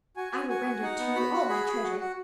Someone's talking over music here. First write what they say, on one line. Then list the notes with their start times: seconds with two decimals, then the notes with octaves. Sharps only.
I will render to you all my treasure.
0.17 F#4 G#5
0.33 F#4
0.49 F#4 G#5
0.66 F#4
0.82 D#4 F#5
0.99 B3
1.15 F#4 B5
1.33 F#4
1.49 G#4 B5
1.67 G#4
1.82 F#4
2.00 F#4